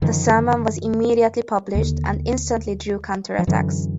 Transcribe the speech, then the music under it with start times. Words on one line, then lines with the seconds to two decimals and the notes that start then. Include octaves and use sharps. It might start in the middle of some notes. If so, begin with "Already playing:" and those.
The sermon was immediately published and instantly drew counter-attacks.
0.02 F#2 D3 D#3 F3
1.75 D#2 D3
3.39 F3
3.47 F#2 D3 E3 F#3